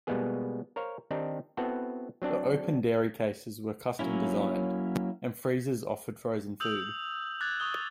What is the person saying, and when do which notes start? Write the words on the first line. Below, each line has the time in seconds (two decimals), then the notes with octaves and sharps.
The open dairy cases were custom designed, and freezers offered frozen food.
0.07 B2 G3 G#3 A#3 B3 G#4
0.76 A#4 C5 C#5 F5
1.11 D#3 C4 D4 D#4 G4
1.57 B3 C4 E4 F#4 A4
2.22 F#3 C4 D4
3.99 F#3 A#3 C#4 E4
6.60 D#6 E6 G6 F7 F#7
7.41 D6 F#6 G#6 A6
7.60 C#6 D#6 G7